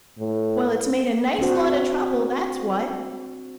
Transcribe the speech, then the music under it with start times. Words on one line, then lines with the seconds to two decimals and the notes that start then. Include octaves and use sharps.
Well, it's made a nice lot of trouble, that's what.
0.19 A2
1.39 C4 D4 F#4 C5